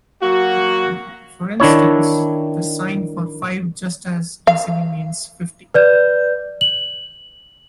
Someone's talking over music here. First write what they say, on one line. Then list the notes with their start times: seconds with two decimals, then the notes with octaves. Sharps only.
For instance, the sign for five just as easily means fifty.
0.22 F#3 A#3 F#4
1.60 D#3 D4 E4 C#5
4.47 F5
5.74 B4 D5 G6
6.61 F#7